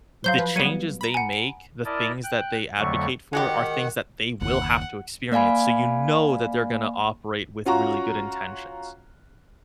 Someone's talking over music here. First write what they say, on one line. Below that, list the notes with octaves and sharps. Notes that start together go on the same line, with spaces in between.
the changes they make, the things that they advocate for are things that they will have to experience, so you know that they're gonna operate with really good intentions,
F#3 C5 F5 G6 G7
F3 B4
F#3 G3 B3 G#6 C#7 D#7
A#5 B5
F#5 G#5
D7
E4 A#4 D5 D#5 A5
G5 F#6
F2 D3 F#3 A3 C#6
D#3 G#3 F#4 G4 F#5
F#1 D#2 F#5
A#3 D5 F5 G#5 B5
C#4 F4 F#4 A#5 C#6